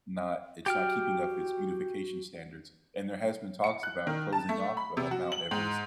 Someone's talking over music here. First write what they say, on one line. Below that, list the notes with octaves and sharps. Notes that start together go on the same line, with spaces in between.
not it's not keeping up its beautification standards, and there has been talks about closing off, uh, Mount Everest,
F#4 G4 G5 F6
C#7
F#6
D#3
A5
A3
B5
C3
F#4
F#7
G#2